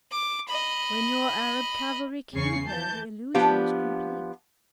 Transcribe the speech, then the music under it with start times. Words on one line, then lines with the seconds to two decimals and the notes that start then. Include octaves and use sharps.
"When your Arab cavalry came here the illusion was complete."
0.11 D6
0.48 D#5 B5
2.32 E2 C#3 G#4 C#6 C7
2.67 E3 A5 G6
3.34 F3 B3 D4 G4 F5